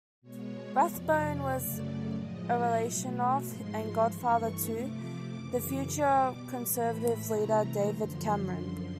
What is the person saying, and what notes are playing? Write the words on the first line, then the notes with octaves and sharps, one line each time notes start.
Rathbone was a relation of, and godfather to, the future Conservative leader David Cameron.
B2 G#3 C#5
F2 C3 F3 D5
F#2 C#3 F#3 A3
A2 F3 G#3 D#5
E5
B2 F#3 A3
G#2 F3 G#3 C6
G2 E3 A3 C#6
C3 F3 A3 D6
F#2 C#3 E3
B2 G3 D6
A2 E3 A3 B5
C3 E3 A3 A#5
F#2 D3 F3 C6